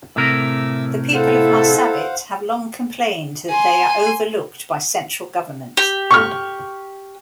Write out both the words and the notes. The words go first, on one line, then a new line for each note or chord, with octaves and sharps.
The people of Marsabit have long complained that they are overlooked by central government.
A2 C3 A#4 E5 D6 E6
E4 A4 C5 F5 F#5
G#5 C6
G4
C#6 F6